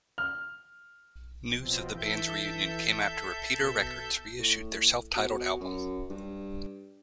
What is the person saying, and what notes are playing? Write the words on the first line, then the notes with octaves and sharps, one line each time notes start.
News of the bands reunion came after Repeater Records reissued their self-titled album.
F6
B2 F3 C4
E3 A4 E5 G6
B2
A2
B2
F#2
G2